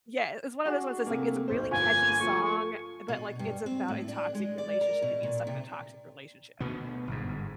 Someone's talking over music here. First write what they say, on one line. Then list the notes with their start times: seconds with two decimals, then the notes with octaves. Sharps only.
yeah, it's one of those ones that's, like, it's a really catchy song, but, like, it's about a toxic relationship and being stuck in a toxic relationship.
0.65 D4 F#4 G#4
1.06 C3 A3 A#3
1.48 B1 C5
1.71 G1 F3 A#3 G#5
2.20 F3 A3 C#6
3.08 B2
3.39 G2
3.66 C4
3.88 A2
4.08 D4
4.35 G#3
4.58 D5
4.81 A#4
5.02 B2
5.23 A#2
5.47 C3
6.60 D2 B2 B3
7.07 G1 G#2